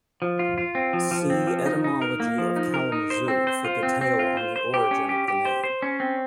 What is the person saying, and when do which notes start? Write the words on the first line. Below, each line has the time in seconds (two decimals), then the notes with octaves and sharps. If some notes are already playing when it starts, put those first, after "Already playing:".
"See," Etymology of Kalamazoo for detail on the origin of the name.
0.22 F3
0.39 F4
0.58 F4
0.75 C4
0.93 F3
1.11 F3
1.30 C4
1.47 F3
1.66 D#4
1.84 D#4
2.02 A#4
2.20 A#3
2.38 F3
2.56 D#4
2.74 A#4
2.92 D#4
3.10 C5
3.28 C4
3.47 C5
3.64 F4
3.83 C4
4.01 C4
4.19 F4
4.37 C5
4.56 C5
4.74 G4
4.91 C#4
5.09 G4
5.28 G4
5.45 C5
5.64 C5
5.82 C#4
6.00 C4